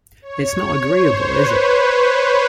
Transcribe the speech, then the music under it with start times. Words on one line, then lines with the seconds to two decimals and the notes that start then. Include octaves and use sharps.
It's not agreeable, is it?
0.22 C#5
0.90 C5
1.23 B4